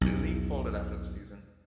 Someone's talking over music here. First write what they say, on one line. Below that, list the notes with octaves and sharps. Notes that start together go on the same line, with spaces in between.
The league folded after the season.
B1 E2